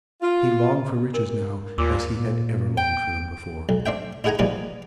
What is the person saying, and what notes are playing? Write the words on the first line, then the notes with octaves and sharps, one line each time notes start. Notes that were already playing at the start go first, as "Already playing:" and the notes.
He longed for riches now as he had never longed for them before.
F4
D4 A#4
D#2 A#2 D6 E6
A#2
G5 D7
B1
C4 D4 E5 G5
D#4 E4 G#4 F#5 G#5 A#5
A#2 E3 F3 G3 D#4